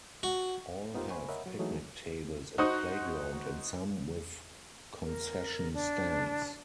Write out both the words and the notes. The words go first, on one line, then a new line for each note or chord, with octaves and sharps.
All have picnic tables and playground and some, with concession stands.
F#4
B3 D#4 F4 G4 A#4 C5
C5 G#5 B5 C#6
A#4 C#5 D#5 E5 F#5 B5
F#3
E3 F#3 G#3 A3 D#4 G#4
D#4 F#4 C5 D#5 C#6 D#6
A#4
D4